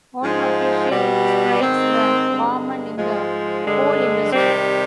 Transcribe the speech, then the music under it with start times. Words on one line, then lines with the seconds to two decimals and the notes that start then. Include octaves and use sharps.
Unofficial strikes were common in the coal industry.
0.23 G#2 F3 G#3
0.91 B2 G3
1.59 G#2 D#3 G#3 C4
2.28 G2 D3 G#3
2.96 G#2 F3 G#3
3.64 G2 D3 G#3
4.33 C3 D#3 G3 C4